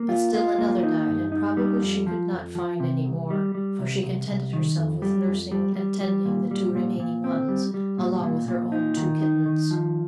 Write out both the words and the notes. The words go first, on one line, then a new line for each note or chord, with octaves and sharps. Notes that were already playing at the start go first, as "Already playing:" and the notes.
But still another died, and probably she could not find any more, for she contented herself with nursing, and tending the two remaining ones, along with her own two kittens.
Already playing: A#3
F4
F4
A#3
D#4
G2
D#4
G3
F2
F3
F2
F3
C3
C2
G3
G3
C2
C2
C2
D#3
F2
G3
F2
G3
G3
G3
A#2
G3
A#2
A#2
C4
G3
G3
A#2
A#2
A#2
D#4
D#3
D#4
D#3
F3